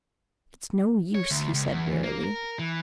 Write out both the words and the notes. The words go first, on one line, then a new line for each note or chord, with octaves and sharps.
"It's no use," he said wearily.
C#5
D2
C#2
E2
A#3
A#4
E3